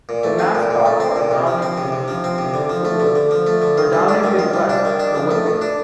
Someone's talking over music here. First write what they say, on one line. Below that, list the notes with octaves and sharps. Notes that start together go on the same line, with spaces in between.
The mascot for Downingtown East is the cougar, for Downingtown West, the whippet.
A#2
A3
C4
A#2
A#2
A3
C4
A#2
C3
F3
C4
C3
C3
F3
C4
C3
D3
F3
A3
D3
D3
F3
A3
D3
F4
G3
D4
D#3
F4
G3
D4
D#3
D4
F3
A3
A2
D4